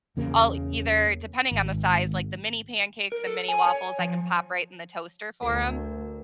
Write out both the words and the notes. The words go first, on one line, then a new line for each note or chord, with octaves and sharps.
I'll either depending on the size, like, the mini pancakes and mini waffles, I can pop right in the toaster for 'em,
E2 C#3 A#3
G#1
A#4
A4
G#5
C#5
F3
D2 A#4